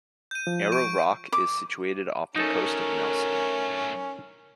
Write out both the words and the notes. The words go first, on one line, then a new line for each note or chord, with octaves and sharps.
Arrow Rock is situated off the coast of Nelson.
G6 D#7
F3
C#6 D7
D6
F#3 A3 C#4 D#4 A4 A#4